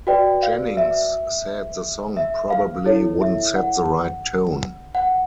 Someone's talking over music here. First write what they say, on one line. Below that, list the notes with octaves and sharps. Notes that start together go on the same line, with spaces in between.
Jennings said the song "probably wouldn't set the right tone".
F#4 B4 D5 G5
F5
E5
E5
F5
E4 A4 C#5
E5
F#5
F#5